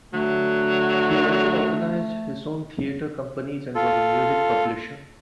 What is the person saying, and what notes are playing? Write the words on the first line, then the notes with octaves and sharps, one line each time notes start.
He also organised his own theatre companies and was a music publisher.
D3 F#3 A3
F4 A4